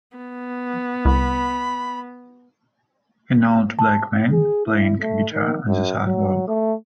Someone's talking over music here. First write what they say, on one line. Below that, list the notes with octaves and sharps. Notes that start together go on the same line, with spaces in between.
An old black man, playing a guitar on the sidewalk.
B3
C2 B5
A5
G#4
E4
A3
D#3
F#2
F#3
A3